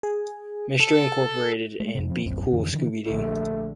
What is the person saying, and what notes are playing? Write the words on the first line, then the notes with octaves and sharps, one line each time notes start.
Mystery Incorporated" and "Be Cool, Scooby-Doo!
G#4
A4
G#3 A3
F2 A2 C3
F3 C4
D1 A#1 F#2 C4
F2 D3 E3 C#4
D3 E3
A#1 D3 A3